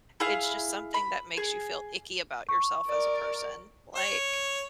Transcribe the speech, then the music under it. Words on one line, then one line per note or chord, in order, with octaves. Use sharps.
It's just something that makes you feel icky about yourself as a person. Like
E4 G#4 F5
B5
G#4
C#6
A#4 D5
C#5